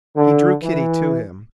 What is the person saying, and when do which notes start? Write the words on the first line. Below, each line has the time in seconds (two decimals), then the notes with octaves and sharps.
He drew Kitty to him.
0.16 D3
0.63 E3